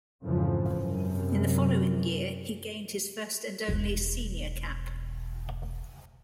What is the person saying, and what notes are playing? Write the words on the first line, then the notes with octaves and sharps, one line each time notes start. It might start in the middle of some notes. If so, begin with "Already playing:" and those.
In the following year, he gained his first and only senior cap.
F2 G#2 C#3 E3 F3
F#2 C3
E1 B1